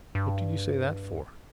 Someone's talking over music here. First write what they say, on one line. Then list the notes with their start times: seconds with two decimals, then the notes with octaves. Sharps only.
What did you say that for?
0.15 G2